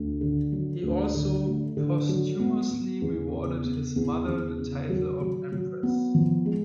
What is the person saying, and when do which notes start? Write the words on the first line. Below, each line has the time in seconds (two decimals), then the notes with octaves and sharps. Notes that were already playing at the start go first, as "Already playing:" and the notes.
He also posthumously rewarded his mother the title of empress.
Already playing: D2
0.21 D3
0.52 F#3
0.83 D2
1.15 D3
1.46 A3
1.77 D3
2.09 F#3
2.40 B3
2.71 B3
3.02 E2
3.33 C#3
3.64 B3
3.96 E2
4.27 E2
4.59 C#3
4.90 F#3
5.21 F#3
5.52 F#3
5.83 B3
6.14 F3
6.46 G#3